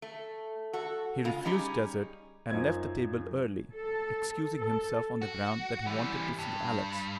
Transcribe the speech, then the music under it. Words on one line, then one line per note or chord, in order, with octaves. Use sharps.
He refused dessert, and left the table early, excusing himself on the ground that he wanted to see Alex.
A3
F#4 A4
C#3 G#3 F4
G3 C#4 D#4 G4 G#4
F#2 D#4 F4 C5 G#6
A4
A4
F#4
E3 G3
G2